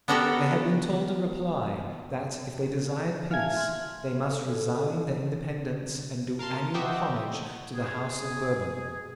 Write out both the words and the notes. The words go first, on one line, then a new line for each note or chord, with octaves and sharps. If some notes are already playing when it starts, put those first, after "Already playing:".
They had been told in reply that, if they desired peace, they must resign their independence and do annual homage to the House of Bourbon.
B3 D4 F#4 G4 A4 A#4
E5 F5 G#5 A5 F6 G#6
C6 F#7
A4
A#4 F5 A5 C6
F#4 G4 C5 D#5 E5 G5
G#4